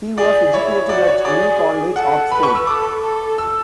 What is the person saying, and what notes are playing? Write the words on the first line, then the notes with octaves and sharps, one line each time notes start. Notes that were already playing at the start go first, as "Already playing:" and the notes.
He was educated at New College, Oxford.
G#4 D5
E4 C#5
F#4 D5
C#5
G#4 D5
A4 F#5
B4 B5
C#6
E6
A4 D6
A4
E6